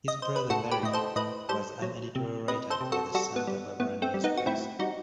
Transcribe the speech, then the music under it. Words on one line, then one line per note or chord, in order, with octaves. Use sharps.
His brother, Larry, was an editorial writer for the "Santa Barbara News-Press".
D#5
C5
B4
A2 F#4 A4
G4 B4
A2 D#5
A4 C5
A2 B4 D#5
G3 A4 C5
F#3
C3
C3 B4 D#5
A4 C5
C3
F#4 A4
G3 F#4 A4
B3
G3
A2 B3
A3 C4
G3
B3 D#4
F#4
A2 C4 E4
G3 D#4 F#4